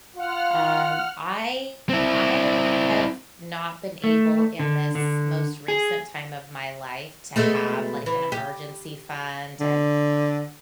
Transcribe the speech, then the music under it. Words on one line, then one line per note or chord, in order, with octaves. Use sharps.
Um, I I have not been able in this most recent time of my life to have, like, an emergency fund and
F4 F#5 F6
C4 E4
A3
D3
D3
G#4
B2 G#3 A3
E3
G4
D3